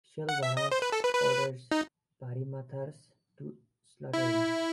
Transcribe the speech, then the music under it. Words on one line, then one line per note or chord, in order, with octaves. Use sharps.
Sylvanas orders Varimathras to slaughter him.
F#5
E5
D#5
C5
B4
A4
B4
B4
D#4
E4